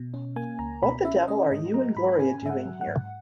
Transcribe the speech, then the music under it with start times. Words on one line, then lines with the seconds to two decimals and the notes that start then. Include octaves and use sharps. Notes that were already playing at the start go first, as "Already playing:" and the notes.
What the devil are you and Gloria doing here?
Already playing: B2
0.14 C#4
0.36 A#3 G#5
0.59 C#2 A#5
0.83 B2 B5
1.05 C#4 E5
1.28 C#4 D#5
1.51 G#2 D#5
1.73 F#3 A#5
1.96 G#2 B5
2.19 C#4 G#5
2.42 G#2 E5
2.50 F#5
2.66 F#3
2.81 F#5
2.87 G#2